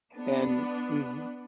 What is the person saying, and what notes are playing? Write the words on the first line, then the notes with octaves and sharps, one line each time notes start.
And mhm.
B3 D4